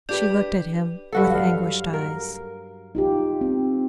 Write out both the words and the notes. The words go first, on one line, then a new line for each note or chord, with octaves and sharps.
She looked at him with anguished eyes.
D4 G4 B4 D5
G2 F#4 A4
F#3 F5
A#4
D#4 F4 G4
C4